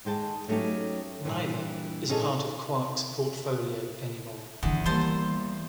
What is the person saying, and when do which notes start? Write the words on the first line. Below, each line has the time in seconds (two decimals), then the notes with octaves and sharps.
Neither is part of Quark's portfolio anymore.
0.05 D#2 G#3 G5 A5
0.48 F#3 A3 C#4 D#4 G4
1.25 G2 A#2 E3
2.09 A#2 C#4 D#4 G#4 A4
4.63 E2 G2 D3
4.86 E3 G3 A#3 C5 A5 C6